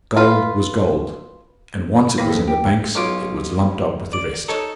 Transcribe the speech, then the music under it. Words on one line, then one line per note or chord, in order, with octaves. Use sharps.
Gold was gold, and once it was in the banks it was lumped up with the rest.
F4 B4
A2 D#3 A#3 B4 A#6
D#2 F3 A4
G4
B1 C#4 F4 D6
D5
D#4 A4 C#5